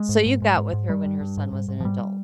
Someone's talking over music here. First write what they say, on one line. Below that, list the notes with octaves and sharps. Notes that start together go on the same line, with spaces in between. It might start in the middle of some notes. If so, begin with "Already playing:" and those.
so you got with her when her son was an adult.
Already playing: G#3
G#2
G#2
G#2
G#2
G#2
G2 G3
G2
G2
G#2
G#2
G#2
F3
G#2 G3